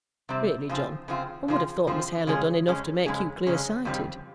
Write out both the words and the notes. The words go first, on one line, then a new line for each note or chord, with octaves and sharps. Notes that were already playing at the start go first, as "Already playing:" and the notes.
Really, John, one would have thought Miss Hale had done enough to make you clear-sighted.
C3 G3 C4
C#3 F3 C4 F4
C#3 F3 C4 F4
C#3 F3 C4 F4
C#3 F3 C4 F4
F2 C#3 G#3 C#4 G#4
F2 C#3 G#3 C#4 G#4
F2 C#3 G#3 C#4 G#4
F2 C#3 G#3 C#4 G#4
F2 C#3 G3 C4 G4